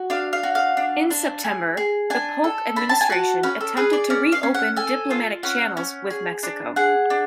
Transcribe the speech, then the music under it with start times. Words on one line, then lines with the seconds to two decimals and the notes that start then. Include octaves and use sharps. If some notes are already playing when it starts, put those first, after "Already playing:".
In September, the Polk Administration attempted to reopen diplomatic channels with Mexico.
Already playing: F#4
0.10 D4 F5
0.33 F5
0.43 F#4
0.55 F5
0.77 D4
1.11 D4
1.44 G#4
1.77 G#4
2.10 D4 G#5
2.44 A4
2.76 D4 B5
2.89 A5
3.01 G#5
3.10 F#4 A5
3.43 C#4 B4
3.61 A4
3.77 G#4 B4
3.93 D5
4.10 C#4 D5
4.32 F5
4.43 C#4
4.55 F#5
4.76 A4 G#5
5.11 F4
5.43 C#4 F#5
5.77 C#4
6.10 G#4
6.43 D4
6.76 G#4 F#5
7.10 D4